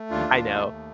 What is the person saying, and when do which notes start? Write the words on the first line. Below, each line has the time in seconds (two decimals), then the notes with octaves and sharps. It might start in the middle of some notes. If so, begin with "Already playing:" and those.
I know.
Already playing: A3
0.10 D#2 D4 F4
0.29 D#2
0.49 A3
0.68 D#2